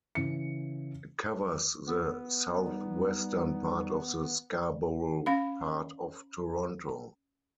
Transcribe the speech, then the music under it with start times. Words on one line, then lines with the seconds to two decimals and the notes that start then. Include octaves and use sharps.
It covers the southwestern part of the Scarborough part of Toronto.
0.15 C#3 E3 C#7
1.87 B3
2.67 G3 D#4
5.26 C#4 F5 B5